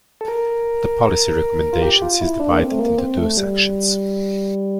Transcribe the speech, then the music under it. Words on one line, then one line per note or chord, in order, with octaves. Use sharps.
The policy recommendations is divided into two sections.
A4
A#4
F4
G4
F4
E4
D4
A#3
C4
A3
A#3
C4
A3
G3